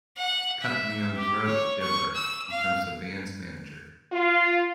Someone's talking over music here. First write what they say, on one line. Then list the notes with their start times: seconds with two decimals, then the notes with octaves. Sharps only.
Cut-Me-Own-Throat Dibbler becomes the Band's manager.
0.17 F#5
0.62 E5
1.16 G4
1.47 C#5
1.82 C#6
2.15 E6
2.50 F5
4.12 F4